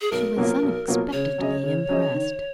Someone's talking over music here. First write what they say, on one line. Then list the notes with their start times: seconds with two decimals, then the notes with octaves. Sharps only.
She was unexpectedly impressed.
0.01 G#4
0.12 B1 A#4
0.37 B2 F#3 A#3 F4
0.63 B1
0.88 B2 F#3 A#3 F4
1.13 C#3 C#5
1.38 F#3 C#4 G#4 D#5
1.63 C#3
1.89 F#3 C#4 G#4 D#5
2.14 D#3